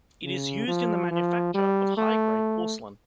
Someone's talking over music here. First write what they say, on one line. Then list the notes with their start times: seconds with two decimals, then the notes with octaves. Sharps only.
It is used in the manufacture of high grade porcelain.
0.24 C#3
0.67 F3
1.11 F3
1.54 G3
1.97 A3